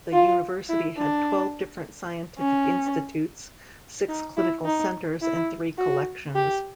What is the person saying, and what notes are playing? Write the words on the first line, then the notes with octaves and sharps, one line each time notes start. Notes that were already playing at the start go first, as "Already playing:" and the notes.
The University had twelve different scientific institutes, six clinical centers, and three collections.
F4
E4
D4
C#4
D#4
E4
D#4
E4
F#4
G4